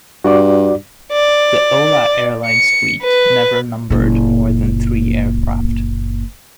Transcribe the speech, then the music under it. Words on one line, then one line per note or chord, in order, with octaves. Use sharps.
The Hola Airlines fleet never numbered more than three aircraft.
G2 F#4 D5
D5
C#7
B4
F#1 A#2